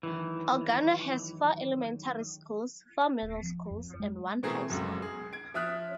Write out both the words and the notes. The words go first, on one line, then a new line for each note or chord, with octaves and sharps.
Ogano has four elementary schools, four middle schools and one high school.
F#2 D#3 E3
D#1
F3
F2
G#3
B2 E3 A3 C4 G#4 A#4
F1 C#2 F#2
G#4
G#6 D7
F3 E5 D#6 F6 F#6 B6